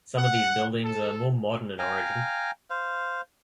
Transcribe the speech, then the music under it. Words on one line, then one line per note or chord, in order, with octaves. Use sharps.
Some of these buildings are more modern in origin.
F#5
A4
F5 G5 G#5 A#5
C5 F5